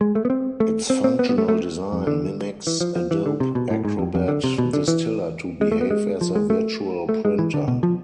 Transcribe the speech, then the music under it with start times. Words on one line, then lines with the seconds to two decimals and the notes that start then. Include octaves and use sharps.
Its functional design mimics Adobe Acrobat Distiller to behave as a virtual printer.
0.01 G#3
0.15 A3
0.25 B3
0.30 C4
0.60 A3
0.90 C4
1.04 C4
1.19 B3
1.29 B3
1.38 A3
1.48 A3
1.92 F2
2.07 D3
2.67 E3
2.81 F3
2.96 F3
3.11 E3
3.26 D3
3.40 C3
3.55 B2
3.70 A2
3.85 G#2
3.99 F2
4.15 F2
4.28 D3
4.44 C3
4.58 B2
4.73 D3
4.88 E3
5.61 G#3
5.72 A3
5.81 B3
5.91 G#3
6.21 F3
6.35 G#3
6.50 A3
7.09 A3
7.25 G#3
7.39 E3
7.54 D3
7.68 B2
7.83 F3